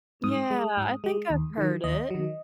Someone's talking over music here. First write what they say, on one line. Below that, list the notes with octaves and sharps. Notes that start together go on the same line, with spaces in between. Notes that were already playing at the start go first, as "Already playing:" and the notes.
Yeah, I think I've heard it.
G#2 D#6
G#3
G#2
G#3
D#2
D#3 F#3
D#2 D#5
D#3 F#3